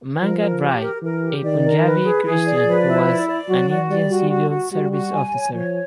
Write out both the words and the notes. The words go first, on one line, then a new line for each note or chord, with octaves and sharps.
Mangat Rai, a Punjabi Christian who was an Indian Civil Service officer.
F3 A#4
A#4
G4
A#4
E3 A#4
G4
D#3 D5
A#4
B4
G#4
E3 G#4
D5
F3 B4
E4
D5
D5
F#3 F#4
F#4
G3 D5
F#4
F#4
F#4
G3 F#4
F#4
G#5
C#5
F3 C#5